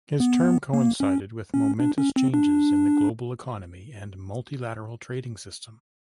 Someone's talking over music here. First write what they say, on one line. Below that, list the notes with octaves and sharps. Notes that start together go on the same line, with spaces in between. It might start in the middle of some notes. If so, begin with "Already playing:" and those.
His term coincided with momentous changes in the global economy and multilateral trading system.
B3
A#3
C#4
C#4
D4
C#4
C4
D4